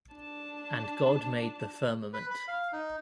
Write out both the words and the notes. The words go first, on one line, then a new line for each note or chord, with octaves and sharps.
And God made the firmament.
D4 A5
B4
B5
F5
D#4